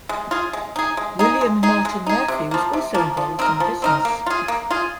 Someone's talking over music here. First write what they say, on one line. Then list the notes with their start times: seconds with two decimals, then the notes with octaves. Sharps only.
William Martin Murphy was also involved in the business.
0.09 G#3
0.31 F4 G#4
0.53 G#3
0.76 D#4 G#4
0.97 G#3
1.19 D#4 G#4
1.41 G#3
1.63 D#4 G#4
1.85 G#3
2.06 D#4 G#4
2.28 C3
2.51 F3 A#3
2.73 C3
2.94 F3 A#3
3.17 F3
3.39 C4 D#4 A#4
3.60 F3
3.82 C4 D#4 A#4
4.05 A#3
4.26 F4 G#4
4.48 A#3
4.71 F4 G#4